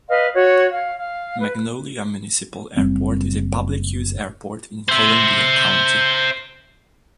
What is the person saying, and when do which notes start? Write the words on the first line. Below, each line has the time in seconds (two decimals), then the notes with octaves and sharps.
Magnolia Municipal Airport is a public-use airport in Columbia County.
0.08 B4 D#5 F5
0.34 F#4 C#5
0.71 F5
0.98 F5
1.40 B4
2.77 F#1 G3 C4
4.89 C5 E5